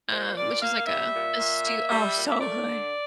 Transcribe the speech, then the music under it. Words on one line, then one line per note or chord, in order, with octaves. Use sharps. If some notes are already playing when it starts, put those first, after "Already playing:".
um, which is like a a stew oh, so good.
A#2 C5
A#2 D5
A#3 F5
G3 E5
A#2
A#2
A#3
G3
A#2
E5
A3 D5
D3